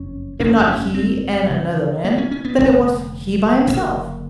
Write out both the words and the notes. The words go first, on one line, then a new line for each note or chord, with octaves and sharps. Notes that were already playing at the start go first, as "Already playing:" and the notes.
If not he and another man, then it was he by himself.
Already playing: F#1 F2 C#4
G1 F2 C#3 C#4
C#4
C4
D2 C#3
A#3
C#4
C#4
B3
F1 D#2 D3 A3
F#1 F2 D3 A#3